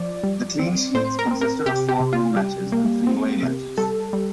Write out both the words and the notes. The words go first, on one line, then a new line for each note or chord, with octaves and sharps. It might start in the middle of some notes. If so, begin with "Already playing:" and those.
The clean sheets consisted of four home matches and three away matches.
Already playing: F3 D5
G3
C4
A2 C5
A#4
C4
A#4
C3 G4
G4
C3
F4
G3 G4
A#3
C4
C3
G3 A4
G3